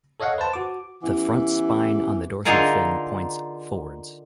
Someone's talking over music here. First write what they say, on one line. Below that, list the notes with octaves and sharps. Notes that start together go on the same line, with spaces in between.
The front spine on the dorsal fin points forwards.
A4 C#5 D#5 F5 F#5
B4 C5 A5
F#4 D6
E3 B3 C#4 G4
D3 D#4 F4 G#4 A#4